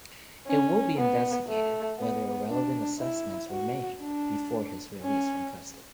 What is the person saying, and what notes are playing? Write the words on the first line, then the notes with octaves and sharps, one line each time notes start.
It will be investigated "whether relevant assessments were made" before his release from custody.
C#4
B3
A3
B3
D4
E4
F#4
D4
C#4